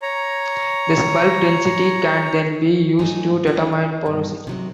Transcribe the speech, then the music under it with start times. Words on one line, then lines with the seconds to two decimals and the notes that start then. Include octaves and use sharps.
This bulk density can then be used to determine porosity.
0.02 C#5 A#5
2.99 G#2 F#3 A3 D#4 E5 G#5
3.47 E3 D4
3.72 C3
4.06 G2 B2
4.47 C3 F#3 G#3